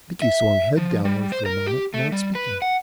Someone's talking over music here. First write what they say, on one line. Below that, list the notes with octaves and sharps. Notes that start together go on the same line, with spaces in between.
Binkie swung head downward for a moment without speaking.
E5
F3
G3
C5
A#4
G4
A3
G3
B4
F#5